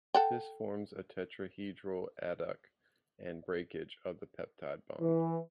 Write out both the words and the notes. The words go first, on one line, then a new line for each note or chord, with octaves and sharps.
This forms a tetrahedral adduct and breakage of the peptide bond.
A4 F#5 G5
E3